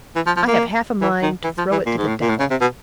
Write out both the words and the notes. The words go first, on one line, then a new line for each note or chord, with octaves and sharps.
I have half a mind to throw it to the devil.'
E3
F3
F3
A#3
E3
D#3
E3
F3
E3
A#2
G#2
A2
A#2
A2
C#3
C3
B2